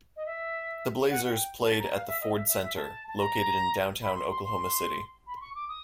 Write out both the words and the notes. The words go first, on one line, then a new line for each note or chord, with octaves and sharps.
The Blazers played at the Ford Center, located in downtown Oklahoma City.
D#5
E5
F#5
F#5
G5
A5
A#5
F5
E5
D#5
E5
E5
E5
A5
A5
A#5
B5
C6
C6
C6
B5
C6
C#6
D6
D#6